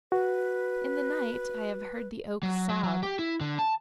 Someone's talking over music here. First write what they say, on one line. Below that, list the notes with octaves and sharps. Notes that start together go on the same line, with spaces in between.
In the night I have heard the oak sob.
F#4 B4
F#3
F#3
F#3
G4
E4
D3
A5